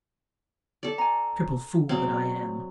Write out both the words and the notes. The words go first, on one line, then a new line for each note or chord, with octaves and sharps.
Triple fool that I am!
A4 D5
G#5 A#5
F#3 C4 G#4 D5 F5